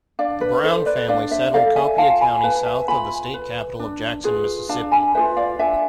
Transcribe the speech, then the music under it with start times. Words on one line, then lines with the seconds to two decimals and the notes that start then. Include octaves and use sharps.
The Brown family settled Copiah County south of the State Capital of Jackson, Mississippi.
0.19 D4 D5 F5
0.41 B4
0.63 A4 C5
0.86 B4 D5
1.08 D4 D5 F5
1.31 C5 E5
1.54 A4 D5 F5
1.76 E5 G#5
1.98 F4 F5 A5
2.21 G#5 B5
2.43 B4 F5 A5
2.66 E5 G#5
2.88 F4 G#5 B5
3.34 B4
3.79 D4
4.24 F4 G#4 B4
4.69 D4 F5 A5
4.92 G#5 B5
5.14 F4 G#4 B4 C5 E5
5.37 D5 F5
5.59 D4 E5 G#5